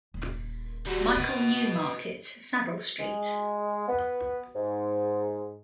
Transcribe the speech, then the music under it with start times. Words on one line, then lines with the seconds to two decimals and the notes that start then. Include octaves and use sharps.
Michael–Neumarkt saddle–St.
0.14 D#1
0.86 G3 F#4
1.16 C3 B4 D#5
2.99 G#3
3.87 B3
4.55 G#2